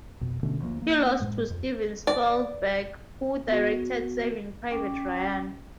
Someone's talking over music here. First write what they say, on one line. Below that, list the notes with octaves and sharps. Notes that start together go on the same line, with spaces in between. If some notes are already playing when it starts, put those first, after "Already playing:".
He lost to Steven Spielberg who directed Saving Private Ryan.
F2 B2
B2 D3 A3 C#4
D2 F3 A#3
A#3
F#2 A2 G#3
F2
D5
B3 F#4
C#4 G5 D6